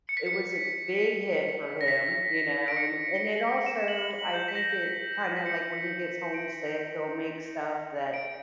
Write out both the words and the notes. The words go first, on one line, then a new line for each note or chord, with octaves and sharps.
it was a big hit for him, you know, and and it also, I think it kinda like when he gets homesick, he'll make stuff that,
C#7
B6
C#7
A#6
B6
D7
C#7
E7
F#7
F#7
G6
B6
A#6
B6
C#7
D7
D7